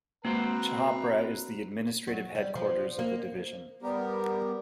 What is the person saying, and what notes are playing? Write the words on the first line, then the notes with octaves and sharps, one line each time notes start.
Chhapra is the administrative headquarters of the division.
G#3 A#3 C4 F#4 B4 C5 A#5
F#3
G3
F3
A#3
G3 B3 G4 A#4